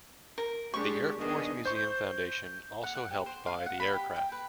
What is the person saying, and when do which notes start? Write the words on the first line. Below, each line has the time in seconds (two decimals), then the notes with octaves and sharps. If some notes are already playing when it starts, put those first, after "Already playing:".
The Air Force Museum Foundation also helped buy the aircraft.
0.38 A#4
0.74 G#3 D4 G4 C#6
1.20 D#3 B3 D4 G#4 D#5
1.65 C5 C#6 G6
2.83 F#5
2.95 F#5
3.11 G4
3.26 C5
3.47 F5
3.66 F#5
3.80 B5
3.93 G4
4.16 G5
4.32 B4